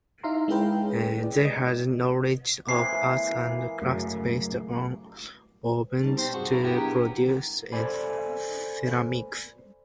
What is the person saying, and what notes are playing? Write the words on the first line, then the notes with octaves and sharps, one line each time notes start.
They had a knowledge of arts and crafts based on ovens to produce ceramics.
D#4 E4 E5 F5 A#5 C6
G#3 C#4 E4 G#4 B4 G5
D5
D#5
E3 G#3 A#3 C4 C7
F#2 C#3 F#3 A3
B2 G3 C4 D#4 A5
C5 G5
B1 G2 C3 F#4 G#4
F#2 E4 A#4
B1 B3 D4 E4 G4 A#4 G#6
A#5
A4 C5 D5 G#5 B5